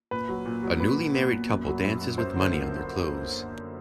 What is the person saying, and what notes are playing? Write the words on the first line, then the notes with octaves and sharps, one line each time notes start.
A newly married couple dances with money on their clothes.
A#2 B4
F#3
A#2
F#3
A#2 B4
A#2
B3
A#2
F#2
F#3
F#2
F#2
F#2 C5
D3
C5
A#3